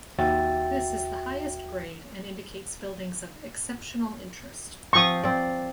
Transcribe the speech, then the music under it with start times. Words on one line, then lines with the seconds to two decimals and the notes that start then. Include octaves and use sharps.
This is the highest grade and indicates buildings of "exceptional interest".
0.18 D#2 F#4 E5 G5 A6
4.93 F3 C4 C#6 D#6
5.23 C4 D5